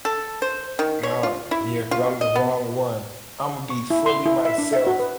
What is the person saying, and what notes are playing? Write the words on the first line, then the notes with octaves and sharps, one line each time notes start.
Naw, yeah, 'cause I'm the wrong one. Imma be fully myself.
A4
C5
D#3
C#5
F4
E4
F4
D#5
B3
C#6
E4
C6
E4
E5
D4
E5
F#4
B4